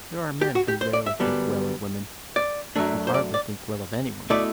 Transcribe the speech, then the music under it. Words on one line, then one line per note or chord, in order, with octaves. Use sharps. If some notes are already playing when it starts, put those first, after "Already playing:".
There are men who rarely think well of women,--who hardly think well of any woman.
G4
F#4
G4
C5
D5
E5
F#2 D3 G3 B3 D4
D5
F#2 F#3 A3 D4
C5
D5
D5
B2 A3 E4 D5